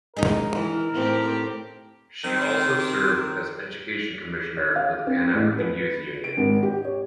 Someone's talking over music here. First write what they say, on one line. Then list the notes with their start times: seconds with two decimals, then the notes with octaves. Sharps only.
She also served as education commissioner for the Panafrican Youth Union.
0.17 G#3 D#4 A#4
0.55 E3
0.93 A2 C4 G4
2.25 D#3 C4
4.57 C#5
4.76 F5
5.07 C4
5.34 A1
5.58 B4
6.24 D7
6.37 G#1
6.63 G4
6.84 C#5